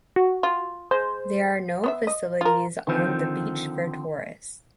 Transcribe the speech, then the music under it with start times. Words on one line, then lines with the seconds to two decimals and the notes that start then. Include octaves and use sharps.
There are no facilities on the beach for tourists.
0.16 F#4
0.43 F4
0.91 G#3 C5
1.84 B3 C#5 E5
2.07 D#5
2.41 F4 A#4
2.87 D3 D#3 F3 C4